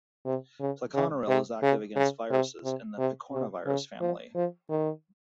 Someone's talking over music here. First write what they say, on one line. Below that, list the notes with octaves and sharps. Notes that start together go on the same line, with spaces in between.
Pleconaril is active against viruses in the picornavirus family.
C3
C#3
C#3
C3
C#3
C#3
C3
C3
C3
C3
C#3
F3
F3
D#3